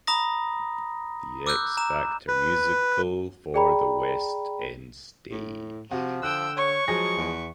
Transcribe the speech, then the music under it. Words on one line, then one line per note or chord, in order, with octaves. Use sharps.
The X Factor Musical for the West End stage.
A#5 B5 D#6 A#6
D6 E6 F#6 G6
A#5 E7
B4
G#4 D5 G5 A#5 B5
A2
C3 F3 F#4
D3 G5 E6 F#6
C#5 C#6
F3 F#3 G#3 G#4 A#6
E2